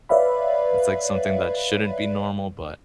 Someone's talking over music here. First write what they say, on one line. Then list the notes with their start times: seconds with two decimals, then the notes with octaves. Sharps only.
it's like something that shouldn't be normal, but,
0.09 B4 C#5 D5 E5 F5 B5